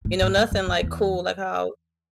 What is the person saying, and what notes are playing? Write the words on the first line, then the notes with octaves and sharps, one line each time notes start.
you know, nothing like cool, like how,
A2
A2
G#2
F#2
F#2
E2